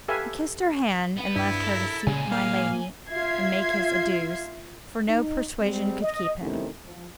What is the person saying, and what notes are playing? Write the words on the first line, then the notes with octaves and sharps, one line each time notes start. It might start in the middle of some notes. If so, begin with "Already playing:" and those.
He kissed her hand and left her to seek my lady and make his adieus, for no persuasion could keep him.
G4 A4 B4 E5 F5 G#5
B3
G2 E4
A4 A#4
A#2 C#3 G#3 G#5
A#3 F5
F4 E5 G#6 C7
D#4
G3 G#3 C4
D#5
C3 D#3 A3 C4 C#4 E4
F3